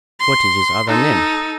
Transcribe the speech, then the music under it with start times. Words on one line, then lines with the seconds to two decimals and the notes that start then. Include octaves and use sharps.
"What is his other name?"
0.20 C6
0.87 D#4 A4